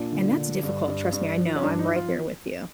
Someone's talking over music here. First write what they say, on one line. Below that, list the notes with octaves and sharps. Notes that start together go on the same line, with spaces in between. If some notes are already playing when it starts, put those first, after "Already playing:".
And that's difficult, trust me, I know, I'm right there with you.
Already playing: A#2 D4
D3
D3
G2
G2
G2
F3
C#4
G2 D4
D#4
F3
F4